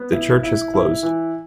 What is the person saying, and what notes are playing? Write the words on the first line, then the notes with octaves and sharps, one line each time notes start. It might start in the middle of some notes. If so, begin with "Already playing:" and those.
The church has closed.
Already playing: B3
E4
E4
E4
E3